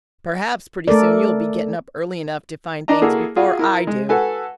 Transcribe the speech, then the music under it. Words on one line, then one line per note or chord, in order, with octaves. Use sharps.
"Perhaps pretty soon you'll be gettin' up early enough to find things before I do!"
A3 A4 A#4 D5
D4 D#5 A#5
A#3 E4 F#4 G#4 A4
F4 F#4 G#4
E4 A#4
G#3
F#4 A4 B4 F#5 G#5